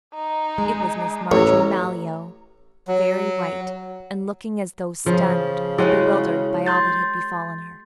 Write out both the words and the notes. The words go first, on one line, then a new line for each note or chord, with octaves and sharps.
It was Miss Marjorie Malyoe, very white, and looking as though stunned or bewildered by all that had befallen her.
D#4
G#3
A1 E4 C#5 A#5
F#3
C#3 F3
G#3 E4 F#4 G4 C#5
C6 G6 A6